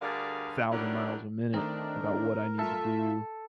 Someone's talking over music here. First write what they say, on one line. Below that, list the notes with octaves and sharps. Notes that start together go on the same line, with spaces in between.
thousand miles a minute about what I need to do,
D2 D3 G3 G#4 A#4 F5
D#3 F#3 G3 C#4 D4 E4
D#3 A3 C4 D4 D#4 A#4
A3 F4 A4 E5